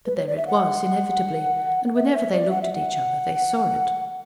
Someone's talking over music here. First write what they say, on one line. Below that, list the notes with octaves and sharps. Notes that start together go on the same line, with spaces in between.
But there it was, inevitably, and whenever they looked at each other they saw it.
B4
C#5
D5
E5
F#5
E5
D5
E5
D5
F#5
E5
F#5